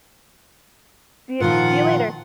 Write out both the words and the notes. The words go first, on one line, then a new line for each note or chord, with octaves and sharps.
See y see you later.
A#2 D#3 F3 F4 F#5